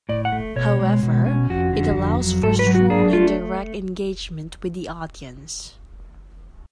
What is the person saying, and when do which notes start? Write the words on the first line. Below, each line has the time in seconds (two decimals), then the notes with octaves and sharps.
However, it allows for strong and direct engagement with the audience.
0.09 A2 D5
0.25 F#5
0.32 A3
0.56 B2 C#5
0.79 G#3
1.03 B2
1.26 C#4
1.50 F2 F#4
1.73 D3
1.96 F2
2.20 F#3
2.43 G#2 A4
2.59 B4
2.66 F#3
2.75 F#4
2.90 D4 G#4
3.13 A3 F4